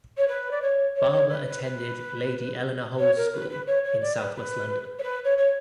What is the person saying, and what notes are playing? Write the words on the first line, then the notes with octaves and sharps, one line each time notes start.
Barber attended Lady Eleanor Holles School in south-west London.
C#5
B4
D5
C#5
C#5
C#5
B4
B4
B4
C#5
A#4
B4
B4
C#5
C#5
D5
B4
B4
C#5
B4
C#5
C#5